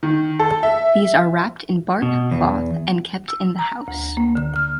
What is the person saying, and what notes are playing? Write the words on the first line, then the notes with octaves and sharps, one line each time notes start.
These are wrapped in bark-cloth and kept in the house.
D#3
A4
E5
B2
E2
E6
A#5
D2
A#3
D3
F6